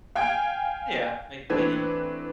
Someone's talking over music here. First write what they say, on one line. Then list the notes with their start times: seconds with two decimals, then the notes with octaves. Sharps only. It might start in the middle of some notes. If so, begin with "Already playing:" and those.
Yeah, make many
0.15 F5 G5 G#5 G#6 D7
1.50 E3 A3 C4 D4 B4 G#6